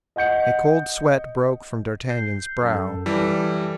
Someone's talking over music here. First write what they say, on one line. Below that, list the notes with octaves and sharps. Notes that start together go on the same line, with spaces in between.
A cold sweat broke from d'Artagnan's brow.
D#5 F#5 G6 C#7
G6 C7
F#2 A4
E3 G3 A4